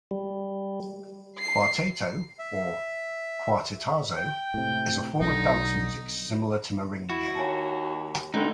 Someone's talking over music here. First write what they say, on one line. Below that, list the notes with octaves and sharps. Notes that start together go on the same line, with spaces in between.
Cuarteto, or Cuartetazo, is a form of dance music similar to Merengue.
G3
C7
E5
G5
A2 C3
B1 D3 D#4
E4 F#4
D#2 C#5 G#5 A5
C#2 G#2 D3 D#4 G5 B5 C6